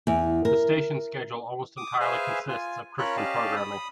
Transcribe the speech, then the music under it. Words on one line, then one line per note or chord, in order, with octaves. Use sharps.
The station's schedule almost entirely consists of Christian programming.
E2
A#4
D6 D#6
G#4 B4 C5 E5 F5 G#5
F4 G#5
C#4 F4 A#4 C#5 B5 F#6
C#4 G4 D5 D#5 F5 A5
B5 D#6